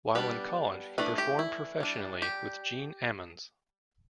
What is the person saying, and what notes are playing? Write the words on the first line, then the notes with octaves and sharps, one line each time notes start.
While in college, he performed professionally with Gene Ammons.
G3 B3 D4 B4
E3 A3 D4 B4
G4
E4
G3 D4
G4